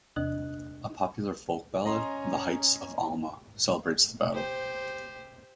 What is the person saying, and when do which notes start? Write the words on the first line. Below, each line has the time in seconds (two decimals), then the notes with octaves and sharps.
A popular folk ballad, The Heights of Alma, celebrates the battle.
0.16 E2 C3 D4 D#5 F#6
1.85 C#4 D#5 A#5 C6
4.32 G4 C5